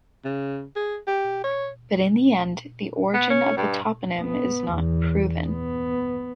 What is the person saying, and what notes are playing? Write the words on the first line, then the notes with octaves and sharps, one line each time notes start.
But in the end, the origin of the toponym is not proven.
C#3
G#4
G4
C#5
B3
C#4
G2
B3
E2
B3